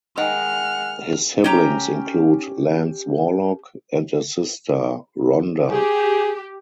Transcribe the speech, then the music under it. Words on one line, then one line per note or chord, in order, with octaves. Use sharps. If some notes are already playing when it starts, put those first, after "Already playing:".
His siblings include Lance Warlock and a sister, Rhonda.
D#3 G#3 F#5 F6
C#4 G4 A#5
G4 G#4